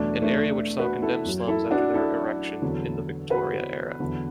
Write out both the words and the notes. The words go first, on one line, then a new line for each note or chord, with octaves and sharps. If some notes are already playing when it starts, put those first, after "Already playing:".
An area which saw condemned slums after their erection in the Victoria era.
Already playing: E2 B2 F#3 A3 D4
A3 D4
F#4 B4
E4 A4
F#2 F#3
E4 A4
D4 F#4
E4 A4
E2 D3 F#3
F#4 B4
E2 D3 F#3